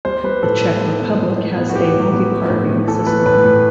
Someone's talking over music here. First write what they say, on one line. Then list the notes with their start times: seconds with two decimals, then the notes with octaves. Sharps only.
The Czech Republic has a multi-party system.
0.05 G3 C5
0.24 G3 B4
0.43 A2 A4
0.61 A2
0.81 G3
1.00 B3
1.18 A2
1.38 A2
1.56 B3
1.69 F#4
1.75 A2 G4
1.93 A2
2.13 B3
2.31 A3
2.50 A2
2.69 A3
2.88 E3 A4
3.06 A3 B4
3.25 A2 B4
3.44 A2